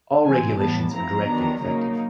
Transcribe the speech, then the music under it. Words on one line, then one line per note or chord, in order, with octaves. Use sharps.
All regulations are directly effective.
C3 E3 A3 C4 G#5
A2 E3 G3 B3 A5
F3 A3 C4 E4 A#5
D#3 F#3 B3 D4
C#3 F#3 A#3 D#4